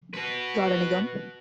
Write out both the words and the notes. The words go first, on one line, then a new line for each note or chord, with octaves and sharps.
Got Any Gum?
F#4 B4